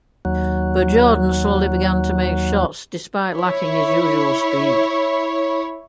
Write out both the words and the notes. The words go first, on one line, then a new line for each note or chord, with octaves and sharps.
But Jordan slowly began to make shots despite lacking his usual speed.
D#2 F#3
E4 C#5